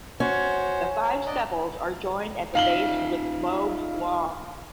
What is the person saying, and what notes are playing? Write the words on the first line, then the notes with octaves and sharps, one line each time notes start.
The five sepals are joined at the base with lobes long.
C#4 F#4 C5
D4 D5 D#5
D#4 F4 F5 F#7 G7